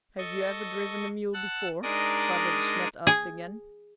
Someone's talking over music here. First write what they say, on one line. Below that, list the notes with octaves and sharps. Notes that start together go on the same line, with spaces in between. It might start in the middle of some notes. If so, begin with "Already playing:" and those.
"Have you ever driven a mule before?" Father De Smet asked again.
A4 D#5 C#6
F#5 A5 E6 F#6
G#3 D4 D#4 A#4 D5 D#6
G#4